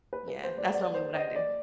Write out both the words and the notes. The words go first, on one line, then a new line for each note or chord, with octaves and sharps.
Yeah. That's normally what I do.
B4
B4
C5
D5
D5
C5
D#5
D5